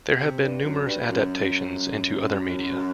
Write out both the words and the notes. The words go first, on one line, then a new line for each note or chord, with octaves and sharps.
There have been numerous adaptations into other media.
C3
G2
F#2
G2
F#2